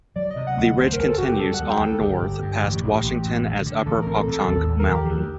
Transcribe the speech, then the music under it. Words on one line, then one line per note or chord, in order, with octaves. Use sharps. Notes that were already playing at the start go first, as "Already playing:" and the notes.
The ridge continues on north past Washington as Upper Pohatcong Mountain.
F#3 D5
D#5
C3
F#5
D2
F#1 C5
A#4
F#1
A4
F#2 F#4
G4
G3 A4
F#5
D2
G5
D2
A4
G1 G4
G1
G2
A1
A1
A1
F#2
D3
D3
A1 A4
A#4
C4
A4
A1 A4
D#2 A4
D#2
A#4
D#2
G4
D2